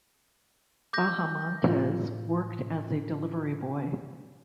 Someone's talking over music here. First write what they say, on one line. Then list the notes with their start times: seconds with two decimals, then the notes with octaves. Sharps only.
Bahamontes worked as a delivery boy.
0.93 D6 G6 A#6
1.66 A2 F4